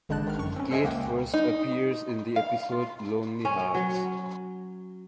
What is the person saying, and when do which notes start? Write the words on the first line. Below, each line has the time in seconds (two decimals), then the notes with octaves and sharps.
Kate first appears in the episode "Lonely Hearts".
0.09 G#1 D3 G#3 D4 A5 F#6
0.27 D#3 F6
0.39 F#2 C#6
0.56 C4 C#4
0.71 A4 C5 D#5 E5 G#5
0.84 C#2 A#3 F#5 G5
1.34 D#4
2.36 F5
2.72 F4
3.45 C#4
3.74 F#3